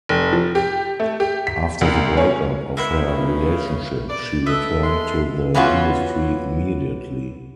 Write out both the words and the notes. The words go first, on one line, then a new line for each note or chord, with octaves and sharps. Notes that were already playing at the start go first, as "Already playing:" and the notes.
After the breakup of her relationship she returned to the industry immediately.
F1
F3
G4
A3
G4
B6
C2
C#4
G#3 A#3 B3 E4 E5
C#3
D5
A4 B4 D#5 E5
G#3 C6
E3 B3 C#4 F4 F#4